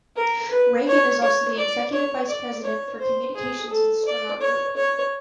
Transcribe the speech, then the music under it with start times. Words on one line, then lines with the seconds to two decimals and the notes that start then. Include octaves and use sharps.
Regan is also the executive vice president for communications of the Stronach Group.
0.16 A#4
0.51 B4
0.87 C#5
1.22 C#5
1.58 D5
1.93 C#5
2.28 D5
2.63 C#5
2.99 C5
3.35 G#4
3.70 A4
4.05 D5
4.41 C#5
4.76 C#5